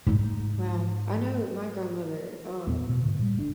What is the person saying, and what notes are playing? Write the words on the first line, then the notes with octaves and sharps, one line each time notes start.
Wow, I know my grandmother, uh
G#2 D#4
E2 A#2 A3 B3
B2
G#2 D3
A#2 G3
F#1 A3 D4